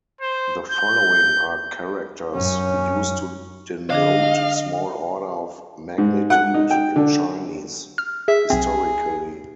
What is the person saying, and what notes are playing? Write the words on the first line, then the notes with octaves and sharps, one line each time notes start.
The following are characters used to denote small order of magnitude in Chinese historically.
C5
G6
F#2 C#4
D3 D4 G#4 D#5 F5
G#2
F#5
D#4
G5
D3
F6
G#4 E5
B1 C4 G#4